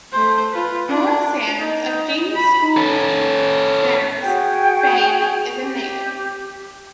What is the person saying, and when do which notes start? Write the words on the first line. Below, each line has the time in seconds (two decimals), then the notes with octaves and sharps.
Nora Sands, of "Jamie's School Dinners" fame, is a native.
0.12 A3 C5
0.52 F4 B4
0.88 D4
1.58 D#4
2.35 B5
2.77 C#4 A4
4.22 F#4 G#4 G5
5.61 G4